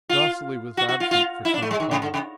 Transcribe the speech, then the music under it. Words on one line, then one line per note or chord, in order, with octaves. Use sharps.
Vasily was absent for some time.
F4
F#4
F#4
F4
F4
E4
D4
A3
G#3
D#3
C#3
D3
C#3